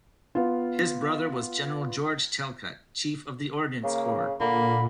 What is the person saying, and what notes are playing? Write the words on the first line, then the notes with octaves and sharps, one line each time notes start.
His brother was General George Talcott, Chief of the Ordnance Corps.
B3 F4
C#3 A#3
A#2 D3 A#3 B5